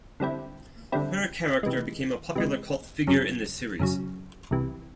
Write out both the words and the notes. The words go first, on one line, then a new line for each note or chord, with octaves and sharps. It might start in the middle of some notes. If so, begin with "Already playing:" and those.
Her character became a popular cult figure in the series.
D3 G3 C4 E4
D3 G3 C4 E4
C3 E3 G#3
C3 E3 G#3
F#2 C#3 F#3
F#2 C#3 F#3
C2 C3 E3